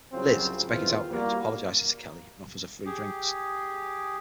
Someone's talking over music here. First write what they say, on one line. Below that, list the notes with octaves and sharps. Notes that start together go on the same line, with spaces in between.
Liz, to Becky's outrage, apologises to Kelly and offers her free drinks.
C2 C#3 F#3 C4 C#4 F4
E2 D#3 E3 C4 F4
G3 A#3 F#4
G4 G#4